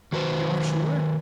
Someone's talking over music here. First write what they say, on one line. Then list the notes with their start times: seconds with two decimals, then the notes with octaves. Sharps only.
"You are sure?"
0.12 D#3 F#4 B4 C5